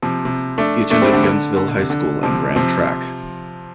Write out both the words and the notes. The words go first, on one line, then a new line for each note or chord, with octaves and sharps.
He attended Youngsville High School and ran track.
C3 F3
C3
A3 D4
A3 D4
G3 C4
D3
D3
D3
D3
C3
D3
C3 F3
C3 F3